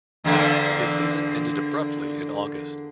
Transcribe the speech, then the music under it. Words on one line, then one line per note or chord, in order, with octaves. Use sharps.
His season ended abruptly in August.
E2 D3 A#3